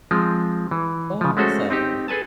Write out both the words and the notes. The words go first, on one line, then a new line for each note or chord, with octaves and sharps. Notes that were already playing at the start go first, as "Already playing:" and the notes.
Oh, awesome.
F3 G#3 C4
E3
C#3 F3
G#3 A3 C#4 F#4 A4 C5
C4 D#4 G4
G#4 A4 B4 G#5 A5